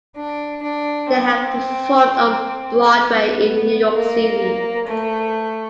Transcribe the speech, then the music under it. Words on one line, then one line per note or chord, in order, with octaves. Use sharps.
They have performed on Broadway in New York City.
D4
D4
C4
B3
A#3
A3